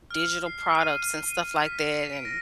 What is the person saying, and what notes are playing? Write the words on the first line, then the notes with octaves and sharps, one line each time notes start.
digital products and stuff like that, and
F6
C7
D#7
D#7
B6
B6
D7
A#6